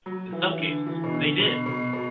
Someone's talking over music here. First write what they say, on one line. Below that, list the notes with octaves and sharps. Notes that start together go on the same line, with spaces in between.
In some cases, they did!
F#3
E3
E3
D3
E3
B2
D3
B2
B2
B2